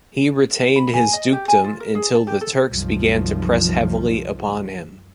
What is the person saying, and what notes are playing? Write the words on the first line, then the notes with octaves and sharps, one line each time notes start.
He retained his dukedom until the Turks began to press heavily upon him.
B5
G#5
D#5
G4
G#5
F4
A#4
G#4
A5
G4
A4
C2 F#2 D#3 F3